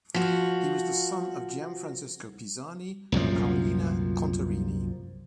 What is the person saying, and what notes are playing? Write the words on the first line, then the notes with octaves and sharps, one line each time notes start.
He was the son of Gianfrancesco Pisani and Paolina Contarini.
F3 F#4
C2 F#2 A#2 F3